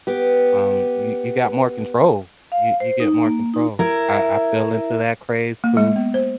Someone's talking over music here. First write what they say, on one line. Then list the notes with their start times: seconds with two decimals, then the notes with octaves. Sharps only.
Um, you you got more control. You you get more control. I I fell into that craze too,
0.07 B3 G4
2.52 F5
2.80 C5
3.00 D#4
3.25 A#3
3.54 D#4
3.79 E4 A#4
5.64 A#3
5.77 G#3
5.96 B3
6.14 C5